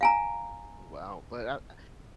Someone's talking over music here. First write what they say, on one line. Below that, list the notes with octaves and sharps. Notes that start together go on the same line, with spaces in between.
wow, but, ah
F5 G#5 A#5